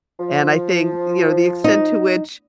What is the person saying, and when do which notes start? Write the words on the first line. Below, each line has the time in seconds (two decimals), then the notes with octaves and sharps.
and I think, you know, the extent to which
0.20 F3
1.64 D#4